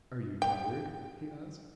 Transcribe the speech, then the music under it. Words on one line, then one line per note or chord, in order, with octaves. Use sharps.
"Are you tired?" he asked.
G5